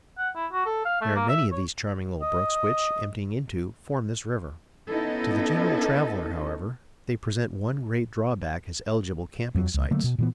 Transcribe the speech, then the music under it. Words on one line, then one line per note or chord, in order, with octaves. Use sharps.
There are many of these charming little brooks which, emptying into, form this river. To the general traveler, however, they present one great drawback as eligible camping sites.
F#5
E4
F#4
A4
F5
A3
A#3
E5
C#5
D#5
B3 C#4 D#4 E4 A4 D#5
F2 F#3
C#2
D3 F#3 A3 A#3
B2
A#2 E3 B3